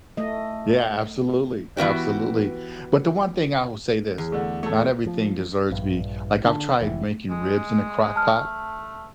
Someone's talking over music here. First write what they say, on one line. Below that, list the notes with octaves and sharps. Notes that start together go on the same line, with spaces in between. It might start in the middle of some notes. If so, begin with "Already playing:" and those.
Yeah, absolutely, absolutely. But the one thing I will say this, not everything deserves to be like, I've tried making ribs in a Crock Pot.
A3 D#5
E3 B3 F#4 G4
E2
D3 A3
A3 A4 C#5
F3
A#1 G2
D3 D4
F1 E3
G#3
G#3
A5 F6
A3